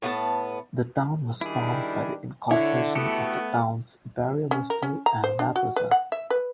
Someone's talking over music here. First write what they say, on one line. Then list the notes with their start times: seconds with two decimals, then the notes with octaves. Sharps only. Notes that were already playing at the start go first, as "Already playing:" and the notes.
The town was formed by the incorporation of the towns Barriobusto and Labraza.
0.02 A2 B3 F#4 A5
1.41 D#3 G3 D4 E4 G#4
2.51 D3 E4 C#5
2.95 A3 B3 F#4 G4 A4
4.51 C#4
4.70 A#4
4.82 C#4
5.06 A#5
5.24 C5
5.39 D4
5.56 F#4
5.76 B4
5.91 F#5
6.12 E5
6.30 B4